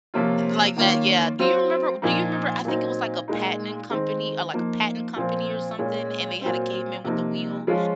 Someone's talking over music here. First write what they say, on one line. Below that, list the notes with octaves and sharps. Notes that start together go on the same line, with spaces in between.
Like that, yeah. Do you remember do you remember I think it was, like, a patenting company or, like, a patent company or something, and they had a caveman with the wheel,
C3 F3 A#3 C#4 F4
D#3 A#3 C#4 F4
F#3 C4 F4
A#2 F3 A#3 D#4
A#2 F#3 C4 D#4
A#2 G#3 D#4
D#3 G#3 C4 D#4
F3 A#3 D#4
A#2 F3 C4 F4
A#2 G#3 C#4
A#2 F#3 C4
C3 F3 A#3 D#4
F3 G#3 C#4 F4